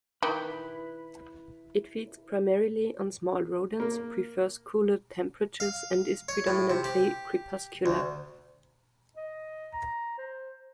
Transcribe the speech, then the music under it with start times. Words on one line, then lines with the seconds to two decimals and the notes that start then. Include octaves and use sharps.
It feeds primarily on small rodents, prefers cooler temperatures, and is predominately crepuscular.
0.23 D#3 E4 G4 B4
3.80 A#3
5.60 F5
6.29 C#5
6.47 A2
6.70 C3
6.84 G4
7.86 D2
9.17 D#5
9.73 A#5
10.18 C5